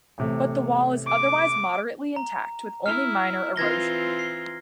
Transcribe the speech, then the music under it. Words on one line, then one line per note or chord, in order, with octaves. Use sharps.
But the wall is otherwise moderately intact with only minor erosion.
A1 C3 A3
D6
A#5
E4 F6
E3 C4 F4 G#6 A#6 G7
C7